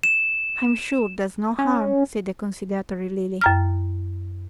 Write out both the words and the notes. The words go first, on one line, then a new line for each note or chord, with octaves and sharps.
"I'm sure there's no harm," said the conciliatory Lily.
E7
C#4
F#2 A#5 F6